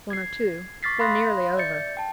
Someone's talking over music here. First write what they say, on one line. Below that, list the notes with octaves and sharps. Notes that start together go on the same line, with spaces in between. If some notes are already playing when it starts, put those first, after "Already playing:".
"One or two; they're nearly over."
G#6 C7
C#6 D6 F6 A6 B6 C7
F5 B5 C6 D#6 F#6 A#6
D5 E5 G6 A6 C#7
G5 A5